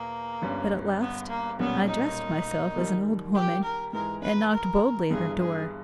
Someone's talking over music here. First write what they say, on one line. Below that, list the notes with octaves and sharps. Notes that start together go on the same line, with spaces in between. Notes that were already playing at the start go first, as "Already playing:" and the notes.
But at last I dressed myself as an old woman, and knocked boldly at her door.
Already playing: E2 B2 A#3
G1 G2 G3 C#4
B3
A#3
B1 A#2 G3 B3 C#4
D#4
D#2 D#3 G3
G4
A#4
G#2 E3 G#3 A#4
B4
A#4
G1 G2 E3 G3 G#4
G#4